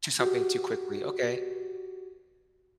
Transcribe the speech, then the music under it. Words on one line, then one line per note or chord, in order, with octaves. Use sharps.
Do something too quickly. Okay.
F#4 G4